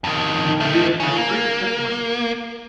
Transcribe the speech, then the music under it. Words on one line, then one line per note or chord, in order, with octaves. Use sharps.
New Zealand has three official languages.
F2 D#3
D#3 A3
C#3 C#4
A#3